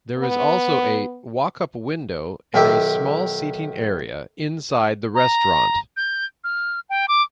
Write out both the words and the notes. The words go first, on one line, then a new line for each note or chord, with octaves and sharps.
There is also a walkup window and a small seating area inside the restaurant.
B3
B1 D#3 E4 G4
A#5
G6
F6
G5
D6